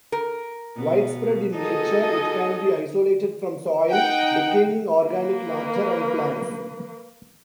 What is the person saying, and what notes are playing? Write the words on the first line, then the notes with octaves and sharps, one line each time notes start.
Widespread in nature, it can be isolated from soil, decaying organic matter, and plants.
A#4
B2
D#4 F#4 G#4 A4 D#5
D#4 F#5 G5
A#3 B4